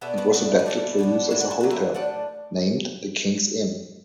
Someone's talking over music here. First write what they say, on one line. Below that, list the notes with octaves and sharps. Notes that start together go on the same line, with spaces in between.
It was adapted for use as a hotel named the King's Inn.
B2 B3 D4 E4 A4
F#4 B4
B2 A3 D4 F#4 B4
B4
E3 A3 D4 A4 D5
B2 B3 D4
A2 F#3 D4 E5
F#5
E5
D3 F#3 A3 D4 F#5
B4 E5
A2 A3 D4 D5 F#5